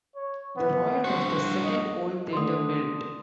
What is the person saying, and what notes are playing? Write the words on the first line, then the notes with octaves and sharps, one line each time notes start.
The Royal was the second old theatre built.
C#5
B3
G2 F#4 C5
D#5
D3 D#3 A3 C6 D#6